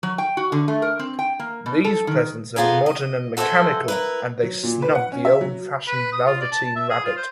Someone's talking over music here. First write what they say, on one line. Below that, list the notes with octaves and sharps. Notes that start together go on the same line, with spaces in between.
These presents are modern and mechanical, and they snub the old-fashioned velveteen rabbit.
F#3
G5
F#4
D3
A3
A#4
C4
G5
A#3
B2
A4
D#3
F2 B3 F4 G#4 G#5 A#5
D#5
F#4 A4 C5 C#5 E5 G#5
E4 A#4 B4
F#3
A#2
B4
F#5
C#4
E5
F#3
B4
D#6
F4
D5
A5
A5
E5
G#4
F4
C5